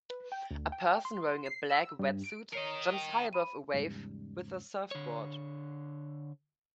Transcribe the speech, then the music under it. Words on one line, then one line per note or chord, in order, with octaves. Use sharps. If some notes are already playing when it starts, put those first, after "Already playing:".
A person wearing a black wetsuit jumps high above a wave with a surfboard.
B4
G5
D2
G5
C6
C7
E6
G2
D7
A#4 C#5 D#5 C7 C#7
G5
B5 D#7
E2 G#2 C#3 G3
D3 C#5